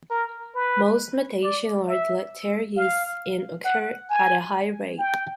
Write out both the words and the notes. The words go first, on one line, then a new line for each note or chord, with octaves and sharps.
Most mutations are deleterious, and occur at a high rate.
A#4
B4
D5
E5
F5
F#5
G#5
G5